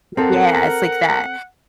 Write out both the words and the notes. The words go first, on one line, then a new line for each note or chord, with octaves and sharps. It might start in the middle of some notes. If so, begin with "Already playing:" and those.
Yeah, it's like that
C4 A4 A#4 F#5